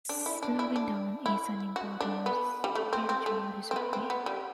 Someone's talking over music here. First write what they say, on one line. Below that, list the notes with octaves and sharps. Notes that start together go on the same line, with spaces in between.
Slowing Down is an important spiritual discipline.
D4
E4
D4
E4
D4
E4
F#4
D4
B3
G3
A3
C4
C4
A3
C4
B3
C4
B3
G3